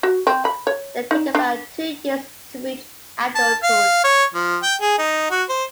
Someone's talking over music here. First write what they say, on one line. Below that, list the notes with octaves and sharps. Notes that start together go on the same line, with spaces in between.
They take about two years to reach adulthood.
F#4
C4
B5
C#5
D#4
D4
A5
F5
C#5
F3
G5
G#4
D#4
F#4
C5